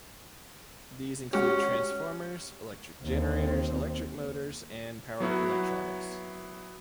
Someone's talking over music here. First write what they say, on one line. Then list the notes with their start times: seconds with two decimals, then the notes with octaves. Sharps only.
These include transformers, electric generators, electric motors and power electronics.
1.33 G#3 C#4 F#4 G4
3.03 D#2 C4
5.20 F#3 B3 E4 F#4